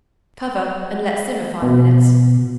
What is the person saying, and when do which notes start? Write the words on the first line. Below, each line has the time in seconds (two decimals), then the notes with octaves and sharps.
Cover and let simmer five minutes.
1.62 B2